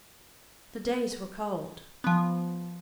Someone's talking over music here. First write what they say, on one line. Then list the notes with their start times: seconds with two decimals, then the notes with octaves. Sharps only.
The days were cold.
2.04 F3 B3